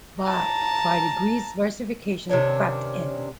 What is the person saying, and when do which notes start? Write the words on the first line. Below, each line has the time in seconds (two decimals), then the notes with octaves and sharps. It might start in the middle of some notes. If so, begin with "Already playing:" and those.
But by degrees versification crept in.
0.24 A5 A#5
2.29 C3 D#3 C#4 D4